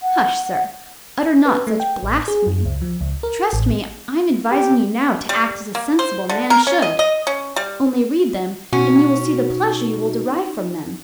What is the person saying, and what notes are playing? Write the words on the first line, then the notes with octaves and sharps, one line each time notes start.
Hush, sir; utter not such blasphemy; trust me I am advising you now to act as a sensible man should; only read them, and you will see the pleasure you will derive from them.
F#5
B4
A3
G5
A1
G#4
F#2
C#2
F3
C#2
A#4
A1
G4
G3
A#3
C5
D3
A#4
C#4
D#5
D#5
C#4
G3
B2 C#4 D#4 F#4